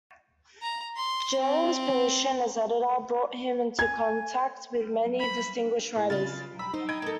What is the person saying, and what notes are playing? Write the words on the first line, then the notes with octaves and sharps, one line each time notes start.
Jerdan's position as editor brought him into contact with many distinguished writers.
A#5
C6
C4
G#5 G#6
B5
A2
C#3 F4 B4 A6
B5 E6
D#4 C5
D#5 B5 G#6 D7
A#3 A4